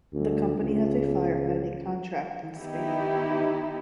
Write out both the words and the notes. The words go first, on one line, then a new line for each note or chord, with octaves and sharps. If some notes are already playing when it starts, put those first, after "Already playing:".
The company has a firefighting contract in Spain.
D2
C#2
D#3 B3 D#4 E4 G4